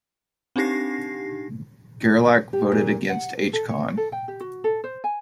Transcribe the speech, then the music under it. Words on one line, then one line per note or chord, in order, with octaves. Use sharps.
Gerlach voted against H. Con.
C4 D4 D#4 G4 A#6 C7
G4
A#2
F#5
A4
C#5
A4
G5
G4
F#4
A4
C5
G#5